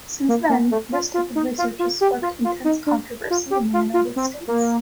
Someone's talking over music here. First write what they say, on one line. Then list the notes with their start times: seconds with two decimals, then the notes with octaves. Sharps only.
Since then, this type of research has sparked intense controversy in the United States.
0.28 A#3
0.49 A#3
0.71 A3
0.92 F4
1.14 F4
1.35 D#4
1.58 F4
1.79 F4
2.01 G4
2.22 F4
2.44 F4
2.65 D#4
2.86 D4
3.30 F4
3.51 G4
3.73 F4
3.94 F4
4.16 C4
4.48 A#3